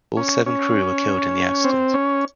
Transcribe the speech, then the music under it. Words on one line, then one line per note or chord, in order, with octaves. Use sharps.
All seven crew were killed in the accident.
C#4
C#4
C4
C#4